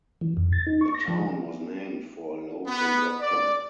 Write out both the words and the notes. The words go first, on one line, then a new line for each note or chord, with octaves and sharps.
The town was named for a local doctor.
E3
F2
A6
D#4
C#6
A#6
F3
B3
D5